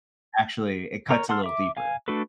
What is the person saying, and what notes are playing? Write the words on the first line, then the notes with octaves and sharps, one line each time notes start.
actually it cuts a little deeper.
A#4 C#5 A#5
F#5 A5 C6 E6 F6
E5 D6
F5 G#5
A3 D4 F#4 A4 B4